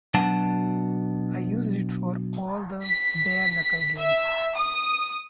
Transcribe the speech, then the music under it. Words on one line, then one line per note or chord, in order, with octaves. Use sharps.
I used it for all the "Bare Knuckle" Games.
B2 F#3 D4 F#5 A5
B6
E5
D#6